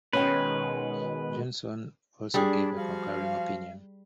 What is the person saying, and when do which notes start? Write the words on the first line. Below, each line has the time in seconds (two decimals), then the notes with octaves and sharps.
Johnson also gave a concurring opinion.
0.13 B2 D#3 G#3 C#4 B4 C5 G5
2.34 G3 D4 G#4
2.77 F3 F#4 F5